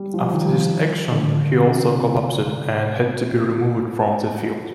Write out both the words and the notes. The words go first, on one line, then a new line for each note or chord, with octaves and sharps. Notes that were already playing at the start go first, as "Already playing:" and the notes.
After this action, he also collapsed and had to be removed from the field.
Already playing: G3
F3
D#3
G3
F3
D3
D3
C3